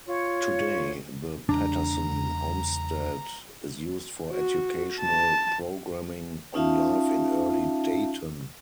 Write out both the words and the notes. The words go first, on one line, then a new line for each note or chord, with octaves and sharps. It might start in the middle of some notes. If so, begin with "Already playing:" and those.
Today, the Patterson Homestead is used for educational programming on life in early Dayton.
F4 C#5
E2 C#3 G#3 D4 A#5
F#4
A5
C#4 D#4 F4 E5 F5 A5